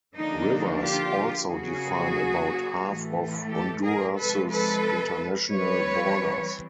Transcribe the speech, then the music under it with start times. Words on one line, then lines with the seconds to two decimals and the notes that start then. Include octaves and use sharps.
Rivers also define about half of Honduras's international borders.
0.15 D3 F3 A#3 D4 D#4
0.83 F4 G4
1.49 C#3 F#3 A#3 C#4 F#4 G#4
2.84 A2 E3 A3
3.50 G4 A4
3.84 G#4 A#4
4.17 C3 F3 G#3 A4 B4
4.51 A4 B4
5.51 E3 G3 C4 B4 C#5